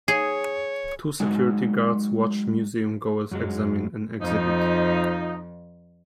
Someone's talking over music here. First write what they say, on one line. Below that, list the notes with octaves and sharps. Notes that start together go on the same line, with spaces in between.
Two security guards watch museum goers examine an exhibit.
G#4 C#5
F#3 G#3 D#4 F#4
F#2 F#3 G#3
F2 F3 D#4